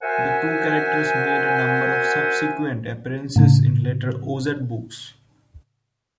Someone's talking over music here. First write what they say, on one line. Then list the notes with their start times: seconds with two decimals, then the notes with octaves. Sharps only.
The two characters made a number of subsequent appearances in later Oz books.
0.02 F#4 A#4 C5 E5 F#5 G#5
3.36 A2 C#3